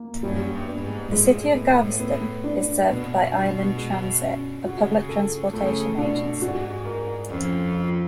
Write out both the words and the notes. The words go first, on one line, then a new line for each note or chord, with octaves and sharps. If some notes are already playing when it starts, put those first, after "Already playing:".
The City of Galveston is served by Island Transit, a public transportation agency.
Already playing: A#3
F#2 G3
G2
B3
G#2
A2 G#3
B3
B3
D4
B2 B3
D4
G#3
C#4
C#3 F#4
A4
C#3 A3
B2 D4
G#2 F#4
A#4
F2 C#4
F4